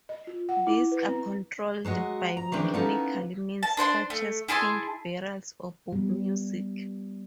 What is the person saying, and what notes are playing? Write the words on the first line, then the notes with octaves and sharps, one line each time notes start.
These are controlled by mechanical means such as pinned barrels or book music.
D#5
F4
F#5
E4
B4
C4
F#3 G#3 F#4 D#5
A#5
D#3 E3 G#3 C4 D4
A#3 B3 C#4 D#4 E4 A4
A5
D4 C5 F#5 C6
A3
E4 G#4 A5 C6
G3 B3